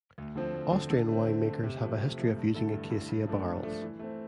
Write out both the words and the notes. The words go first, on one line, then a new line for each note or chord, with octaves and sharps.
Austrian winemakers have a history of using acacia barrels.
D2
D3 F3 C4
D2
D3 F3 C4
D3
A3 C4
D3
A3 C4
C3
F3 A3
C3
F3 A3
G2
D3 A3 E4 A4
G2
D3 A3 E4 A4
G2
F3 A3 D4 A4
G2
F3 A3 D4 A4
E3
A3 C4